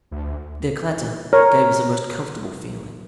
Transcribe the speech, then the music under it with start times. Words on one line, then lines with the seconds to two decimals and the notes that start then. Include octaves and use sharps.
Their clatter gave us a most comfortable feeling.
0.11 D2
1.33 A#4 C#5